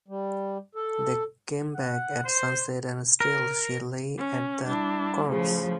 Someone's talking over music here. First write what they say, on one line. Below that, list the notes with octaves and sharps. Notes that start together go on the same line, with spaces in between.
They came back at sunset and still she lay at the corpse.
G3
A4
F#5
C5
A#4
C#4
G3 D4 E4
A2 C#3 F3